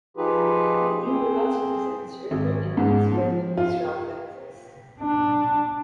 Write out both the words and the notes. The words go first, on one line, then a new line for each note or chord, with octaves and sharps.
Many rural citizens earn their incomes by weaving straw fences.
F3 D#4 F4 G4 G#4 B4
C4 G#4 C5
G#1
G#2
F3
F4
D4